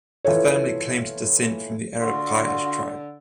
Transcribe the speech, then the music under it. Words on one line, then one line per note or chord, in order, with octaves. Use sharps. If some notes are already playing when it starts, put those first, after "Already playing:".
The family claimed descent from the Arab Quraysh tribe.
E3 F4 A4 C#5
D3 F4 F#4